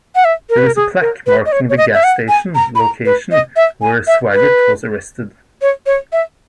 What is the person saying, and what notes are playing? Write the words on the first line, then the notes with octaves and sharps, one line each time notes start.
There is a plaque marking the gas station location where Swaggart was arrested.
F#5
E5
A#4
B4
A#4
G#4
A#4
B4
D#5
C#5
C#5
D#5
E5
F#5
G#5
A#5
B5
A#5
B4
D#5
E5
G#5
E5
B4
C#5
C#5
E5